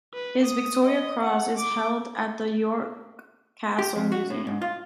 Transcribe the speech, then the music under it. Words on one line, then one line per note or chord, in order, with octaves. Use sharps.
His Victoria Cross is held at the York Castle Museum.
B4
D#6
D#5
F#5
D6
G4
F2
F#4
A2
G#2
F4